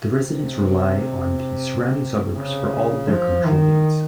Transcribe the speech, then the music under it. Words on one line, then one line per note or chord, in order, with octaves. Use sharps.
The residents rely on the surrounding suburbs for all their commercial needs.
C3
C#3
F3
D#3